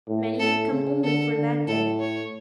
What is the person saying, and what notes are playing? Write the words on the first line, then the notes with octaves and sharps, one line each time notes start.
Many had come only for that day.
A2
A2 A4
C#3
D3 A4
D3
A2 A4
C#5